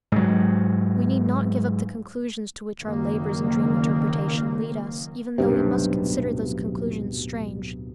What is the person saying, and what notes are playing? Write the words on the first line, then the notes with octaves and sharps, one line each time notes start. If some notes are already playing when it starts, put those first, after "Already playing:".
We need not give up the conclusions to which our labors in dream interpretation lead us even though we must consider those conclusions strange.
G#2 F#3
F#1 D#3 A#3
D1 B1 G2 C3